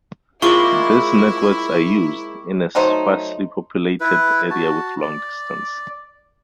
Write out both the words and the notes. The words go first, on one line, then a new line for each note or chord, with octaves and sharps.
These networks are used in sparsely populated areas with long distance.
G#3 A#3 C4 E4 F4 C#6 D6 F#7
F#3 A3 D#4 C5
E4 B4
F#4 A5
D5